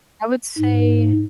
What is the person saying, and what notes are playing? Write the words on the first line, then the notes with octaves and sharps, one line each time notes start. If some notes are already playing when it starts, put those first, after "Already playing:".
I would say
G#2